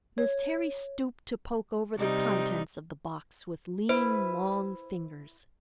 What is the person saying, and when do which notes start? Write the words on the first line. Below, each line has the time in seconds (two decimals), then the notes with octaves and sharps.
Miss Terry stooped to poke over the contents of the box with lean, long fingers.
0.18 C#5
1.97 C3 G3 D#4
3.89 E4 B4 C5